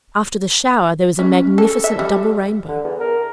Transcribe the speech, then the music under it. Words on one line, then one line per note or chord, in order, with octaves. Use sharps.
After the shower there was a magnificent double rainbow.
C#4
A4
E5
G3
D3
E2
A#4